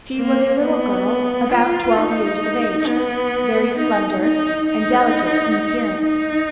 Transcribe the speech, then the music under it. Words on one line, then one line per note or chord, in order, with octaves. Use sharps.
She was a little girl about twelve years of age, very slender and delicate in appearance.
A#3
B3
F4
D#4
B3
D#4
D#4
D#4
D#4